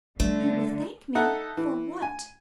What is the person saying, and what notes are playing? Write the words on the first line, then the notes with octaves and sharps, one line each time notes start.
"You will thank me--for what?"
D3 G3 A3
D#4 A4 E5 F#5
E3
G#5